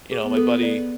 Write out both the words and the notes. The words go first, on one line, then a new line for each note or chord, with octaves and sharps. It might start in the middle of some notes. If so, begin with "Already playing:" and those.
you know, my buddy,
G#4
B3
A4
D5